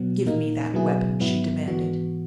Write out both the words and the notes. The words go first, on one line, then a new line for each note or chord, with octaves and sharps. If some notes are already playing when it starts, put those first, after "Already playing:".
"Give me that weapon!" she demanded.
Already playing: B2 F#3 B3
A#2 A#3 D#4
B2 F#3 B3 E4 G#4
G#2 F#3 B3 E4
G#2 E3 B3 F#4